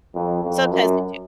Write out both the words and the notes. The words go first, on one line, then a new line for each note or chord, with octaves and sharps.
Sometimes they do.
F2
F2
F#2